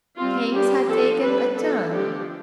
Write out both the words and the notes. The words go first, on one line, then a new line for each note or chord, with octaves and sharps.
Things had taken a turn.
G3 C4 F4
G3 B3 D4 G4
F3 B3 D4 A4
G3 D4 B4
F3 B3 D4 A4
D3 F3 A3 D4 G4